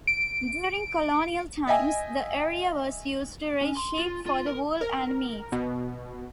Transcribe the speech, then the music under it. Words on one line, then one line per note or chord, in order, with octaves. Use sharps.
During colonial times the area was used to raise sheep for wool and meat.
D7
D#5 E5 G5 G#5
C#4
C6
F4
F4
A#4
A#4
B2